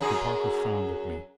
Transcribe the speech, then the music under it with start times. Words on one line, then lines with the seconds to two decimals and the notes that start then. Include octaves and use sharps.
Mr. Parker frowned at me.
0.01 F#2 F#3 G#4